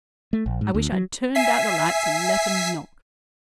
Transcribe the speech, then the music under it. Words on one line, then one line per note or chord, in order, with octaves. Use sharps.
I wish I'd turned out the lights and let 'em knock.
A3
A#1
G#2
D2
F#3
E5 G#5 B6 C7